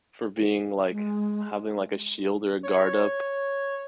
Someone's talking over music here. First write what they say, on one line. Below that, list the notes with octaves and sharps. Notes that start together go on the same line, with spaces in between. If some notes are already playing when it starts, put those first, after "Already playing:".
for being, like having, like, a shield or a guard up.
G#3
C#5